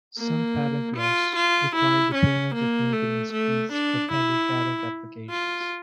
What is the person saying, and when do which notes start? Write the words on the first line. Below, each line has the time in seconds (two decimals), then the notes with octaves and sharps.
Some patent laws require the payment of maintenance fees for pending patent applications.
0.18 A#3
0.97 F4
1.36 F4
1.75 E4
2.15 C#4
2.55 A#3
2.93 A3
3.33 A3
3.73 D4
4.12 E4
5.30 F4